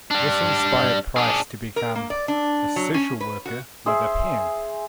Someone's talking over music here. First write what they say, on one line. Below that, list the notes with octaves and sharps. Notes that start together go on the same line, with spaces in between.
This inspired Price to become "a social worker with a pen".
G3 D4
D4 G#4
A#4
A#3
D5
D4
F#3
C#4
B4
F#4
G#4 C5 E5